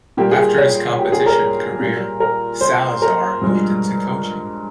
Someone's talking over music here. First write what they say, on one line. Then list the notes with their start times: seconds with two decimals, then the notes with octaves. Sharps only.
After his competition career, Salazar moved into coaching.
0.17 A#2 G3 A#3 G4
0.31 G#4
0.58 C#5
0.99 G4
1.12 G#4
1.26 A#4
1.80 A#2 G3 A#3
2.20 A#4
2.61 C5
3.02 A#4
3.42 G2 F3 G#3